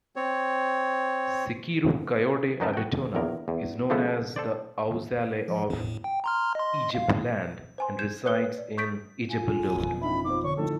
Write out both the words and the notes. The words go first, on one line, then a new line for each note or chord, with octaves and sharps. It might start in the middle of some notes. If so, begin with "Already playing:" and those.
Sikiru Kayode Adetona, is known as the Awujale of Ijebuland and resides in Ijebu-Ode.
C4 C#5
F#2 F#3 D#4 A#4 B4 A5
F#4 G5
A#1 E2 A#4
E2
C#3 F3 G#3 A3 B3 A4
A4 C5 D5
F3
E2 A2
G5
A#5 C6 F6
D#5 C6
F5
C5 G#5 C6
G6 G#6 E7
B4 C#5 F#6 C#7 G7
D5
C#6 D#6 G6 A6 B6 D7
F4 G#5
G1 F2 B2
A1 D#4 E5 B5
C4 D#4 F4 C5 D6
D3 C#5 C#6
F2 A2 D#3 A4